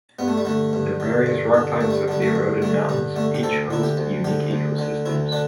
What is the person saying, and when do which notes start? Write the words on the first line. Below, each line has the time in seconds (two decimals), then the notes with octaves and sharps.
The various rock types of the eroded mountains each hosts unique ecosystems.
0.19 G2 B3
0.28 A3
0.37 G3
0.45 D3 A3
0.73 G2
1.00 D3
1.26 G2
1.54 D3
1.80 G2 A3
1.91 G3
2.08 D3 G3
2.22 A3
2.35 G2
2.62 D3 A3
2.89 G2 G3
3.16 D3 A3
3.35 G4
3.43 D2 A4
3.70 D3 E4
3.83 G4
3.97 D2
4.24 D3 G4
4.51 D2
4.79 D3
5.06 D2 E4
5.32 D3 D4